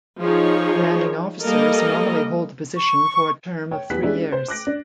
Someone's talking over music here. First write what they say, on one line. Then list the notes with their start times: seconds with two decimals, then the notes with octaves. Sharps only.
Commanding Officers normally hold the position for a term of three years.
0.21 F3 D#4 G#4 C#5
1.45 G3 A#3 A4 A#4 D#5
2.75 C#6
3.71 C#5 G5
3.90 E2 B3 G4 F#6 B6
4.02 G#3 C#4 D4 E4 G4
4.32 C5
4.48 D6 F#6 A#6 D7
4.67 D4